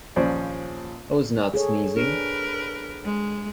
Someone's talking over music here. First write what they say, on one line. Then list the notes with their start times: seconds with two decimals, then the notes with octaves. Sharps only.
I was not sneezing.
0.16 A#1 D#2 F3 C#4 C5 D5
1.54 G#4 A4 C#5
1.97 D4 A#4 B4
3.04 G#3